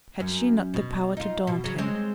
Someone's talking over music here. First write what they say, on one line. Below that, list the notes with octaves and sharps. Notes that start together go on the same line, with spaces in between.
Had she not the power to daunt him?
F#2
B2
D#4 F4
B2
C#3 F#3
G#3 C4 C#5